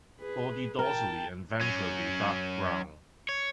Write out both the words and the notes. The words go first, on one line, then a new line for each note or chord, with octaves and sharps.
Body dorsally and ventrally dark brown.
G#4 B4
A#4 G5 A5
F#3 C#4
C#5